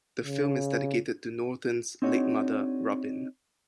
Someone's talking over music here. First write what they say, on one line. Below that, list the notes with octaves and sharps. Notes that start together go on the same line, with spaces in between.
The film is dedicated to Norton's late mother, Robin.
C#3
C4 D4 D#4 F#4 G#4 C#5